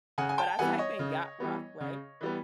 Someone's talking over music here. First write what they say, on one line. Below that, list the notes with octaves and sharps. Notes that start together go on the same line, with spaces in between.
but I type in Yacht Rock, right?
C#3 F#5 G#5
G#5
G5 A5
E3 G3 B3 F#5 G#5
C#5 D#5
C#3
E3 G3 B3
C#3
E3 G3 B3